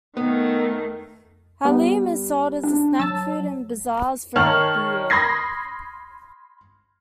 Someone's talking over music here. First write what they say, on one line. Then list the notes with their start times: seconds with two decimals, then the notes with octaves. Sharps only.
Haleem is sold as a snack food in bazaars throughout the year.
0.17 D#3 A3 B3
1.65 G3 B3
2.64 D4
2.99 F#3 A5 E6
4.36 D#3 C#5 A5 F6
5.10 B5 C6 D#6 G#6 A#6 C7